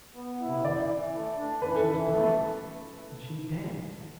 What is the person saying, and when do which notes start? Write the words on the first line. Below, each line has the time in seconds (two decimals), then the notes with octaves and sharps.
Well, she was bright; and she danced.
0.15 B3
0.40 E4
0.64 E3 D5
0.89 E3
1.13 A3
1.37 D4
1.62 E3 B4
1.76 A4
1.87 E3 B4
2.11 A3